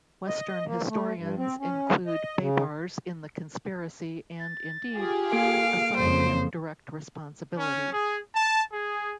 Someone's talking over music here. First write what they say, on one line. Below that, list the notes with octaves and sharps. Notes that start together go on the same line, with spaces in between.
Western historians include Baibars in the conspiracy and, indeed, assign him direct responsibility.
D#5
A#3
A3
G2
C4
C#4
D#5
C#3
A6
F4 G4 G#4
A#3 A4 F5 D7
F2 C#3 F3 C5
C#4
G#4
A5
G#4